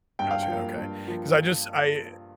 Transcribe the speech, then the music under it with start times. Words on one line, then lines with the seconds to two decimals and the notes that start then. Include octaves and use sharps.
Gotcha, okay, 'cause I just I
0.19 G2 G5
0.31 F5
0.43 G5
0.48 F3 A#3
0.77 G2
1.06 F3 A#3